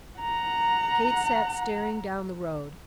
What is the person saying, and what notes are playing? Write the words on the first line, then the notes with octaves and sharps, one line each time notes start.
Kate sat staring down the road.
F#5 A#5